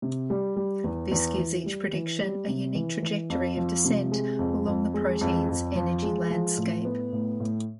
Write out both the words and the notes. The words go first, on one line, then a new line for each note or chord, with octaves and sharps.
This gives each prediction a unique trajectory of descent along the protein's energy landscape.
C3
G3
G3
E2
E2
E3
G3
E3
G3
C3
E3
E3
F2
F3
C3
G#3
F2
F2
G#3
F2
F2
F3
G#3
F3
A2
B3
A2
A2